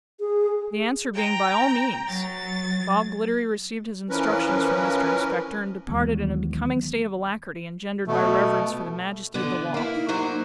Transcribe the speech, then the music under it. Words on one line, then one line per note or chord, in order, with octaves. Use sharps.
The answer being By all means, Bob Gliddery received his instructions from Mr Inspector, and departed in a becoming state of alacrity engendered by reverence for the majesty of the law.
G#4
G5 A#5
F#3 A6
E3 F3 C#4 A#4 B4
D#2 D#3 E3 F#3 G#3 B3
B2 A3
D3 B3
A#3 E4
D#4
F#3 A#3 C5